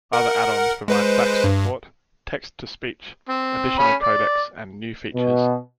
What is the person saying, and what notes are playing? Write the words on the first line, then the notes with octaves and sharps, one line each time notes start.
Other add-ons provide fax support, text-to-speech, additional codecs and new features.
A#4 F#5
G#3 B4 C5
G2
C4
C#4 B5
D5
B2